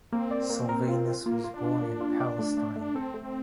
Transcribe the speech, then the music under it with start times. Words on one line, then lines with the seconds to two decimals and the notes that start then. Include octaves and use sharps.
Silvanus was born in Palestine.
0.12 A#3 C4
0.31 D5
0.50 A#3
0.69 A#4
0.89 F4
1.07 F4
1.26 A#3 F4
1.44 F4
1.54 D4
1.63 F4
1.82 A#3
2.01 F4
2.20 D5
2.39 A3
2.57 A3
2.76 A3
2.81 D4
2.95 C4 A4
3.14 A3
3.23 C4